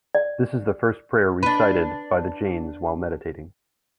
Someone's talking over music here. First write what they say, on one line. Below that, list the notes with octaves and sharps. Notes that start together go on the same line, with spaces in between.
This is the first prayer recited by the Jains while meditating.
D5
D4 B4